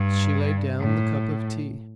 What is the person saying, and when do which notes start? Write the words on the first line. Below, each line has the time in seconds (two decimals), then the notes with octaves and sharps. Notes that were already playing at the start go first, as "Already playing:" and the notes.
She laid down the cup of tea.
Already playing: G2
0.80 A2